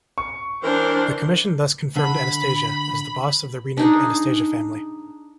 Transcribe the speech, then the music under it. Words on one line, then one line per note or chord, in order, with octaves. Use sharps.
The Commission thus confirmed Anastasia as the boss of the renamed Anastasia family.
C#6
E3 C4 D4 A#4 C5
D3 B5
D4 D#4 G#4